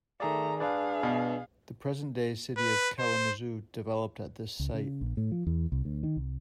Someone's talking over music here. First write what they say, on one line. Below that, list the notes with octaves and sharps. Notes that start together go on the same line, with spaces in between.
The present-day city of Kalamazoo developed at this site.
D#3 A3 G#4 D5 A#5
D4 G#4 B4 D5 F5
B2
B4
C5
C#2
C#3
A#1
A2
F3
E2
C2
D2
D#3
C2